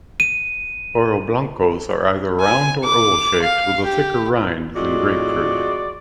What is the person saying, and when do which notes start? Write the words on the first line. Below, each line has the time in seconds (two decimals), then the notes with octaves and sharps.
Oroblancos are either round- or oval-shaped with a thicker rind than grapefruit.
0.20 D#7
2.40 G#5
2.84 D6
3.42 F5
3.84 G4
4.76 F2 A2 G#3 F4 F#4 D5